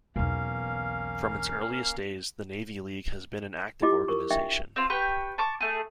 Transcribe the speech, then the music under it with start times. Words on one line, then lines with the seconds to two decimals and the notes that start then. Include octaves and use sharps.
From its earliest days, the Navy League has been an active organization.
0.16 B1 E2 A#3 C#4 F5
3.82 E4 F4 G4 D#5 D6
4.08 A#4 C#6
4.30 D4 D#5 E5 G5 C#6
4.76 C4 F4
4.90 G4 B4 G5 C#6
5.38 A5 C#6 D6
5.61 A3 G#4